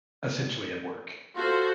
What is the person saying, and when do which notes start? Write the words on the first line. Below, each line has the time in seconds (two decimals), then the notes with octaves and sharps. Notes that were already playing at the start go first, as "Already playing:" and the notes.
essentially at work.
1.36 F4 F#4 A4 C5